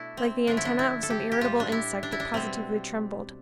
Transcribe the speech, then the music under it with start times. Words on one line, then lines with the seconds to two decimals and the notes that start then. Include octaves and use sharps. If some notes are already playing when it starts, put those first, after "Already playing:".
Like the antennae of some irritable insect it positively trembled.
Already playing: B2 A3 D4 E4
0.17 C4
0.47 D3 F3 A3 D4
0.57 E4
0.65 D4
0.79 E4
1.03 A4
1.10 G4
1.32 G4
1.41 A2 G3 F4
1.60 D4
1.72 E4
2.03 D4
2.12 E4
2.20 D4
2.34 B2 G3 C4